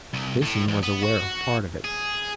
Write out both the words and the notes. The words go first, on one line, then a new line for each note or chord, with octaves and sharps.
Jason was aware of part of it.
C2
A2
E2
B3
F#4
G#4